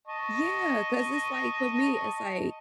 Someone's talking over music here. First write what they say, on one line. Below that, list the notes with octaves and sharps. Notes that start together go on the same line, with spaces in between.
Yeah, 'cause it's like for me, it's like
D#5 A5 C#6